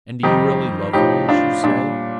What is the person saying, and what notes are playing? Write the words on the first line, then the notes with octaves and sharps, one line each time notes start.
"And do you really love me as you say?"
F2 D#3 G3 D#4 G4
A2 F3 D#4 G4
D4 F4
A#2 G3 D4